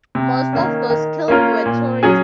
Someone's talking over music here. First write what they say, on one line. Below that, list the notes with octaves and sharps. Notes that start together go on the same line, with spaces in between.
Most of those killed were tourists.
C3
D#3 A#3 C#4
D#3
A#3 C#4 F4 A#4
A#2
F#3 C#4 G#4